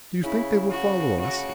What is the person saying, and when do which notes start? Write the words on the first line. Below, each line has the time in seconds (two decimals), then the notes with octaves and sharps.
"Do you think they will follow us?"
0.24 C#3 E4
0.71 F#4
1.20 F#4